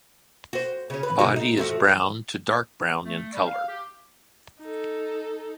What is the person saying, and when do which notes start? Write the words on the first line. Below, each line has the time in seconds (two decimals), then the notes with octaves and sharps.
Body is brown to dark brown in color.
0.53 F#4 C5
0.90 C#3 C#4
1.03 B4
1.19 B2 D3 F#4
1.36 D#4
1.57 F3 A3 F#4
3.05 A3
3.33 G3
3.47 F5
3.69 G4
4.60 D#4 A4